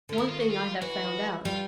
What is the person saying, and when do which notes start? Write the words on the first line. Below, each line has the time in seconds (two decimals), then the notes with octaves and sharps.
One thing I have found out.
0.09 D3
0.13 F4
0.18 D#3 E4
0.29 F4
0.40 F#4
0.50 F4
0.82 E3 F#4
1.45 G3 F4